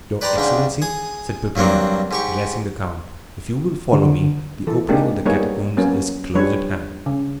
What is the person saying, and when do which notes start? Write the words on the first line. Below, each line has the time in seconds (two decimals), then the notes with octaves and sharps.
"Your excellency," said Peppino, addressing the count, "if you will follow me, the opening of the catacombs is close at hand."
0.21 B4 D5 G5 A5 A#5 C6
0.36 C#2 G#2 D4 G5
0.82 G#4 D#6
1.56 G2 F#3 A#3 C4 D4
2.11 G#2 G4 C#6
3.93 D3
4.67 E3 A4
4.88 G#3 A#3 C4 D4 D#4 G4
5.26 G3 A#3 B3 D#4 G#4 C#5
5.77 F#3 A#3 B3 C#4
6.35 F3 G3 D4 B4 C#5
7.06 C#3